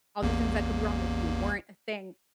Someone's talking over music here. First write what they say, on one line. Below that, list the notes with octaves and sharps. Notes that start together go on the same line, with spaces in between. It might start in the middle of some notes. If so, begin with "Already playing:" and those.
All these things that could be wrong with you weren't a thing.
A1 E2 A#3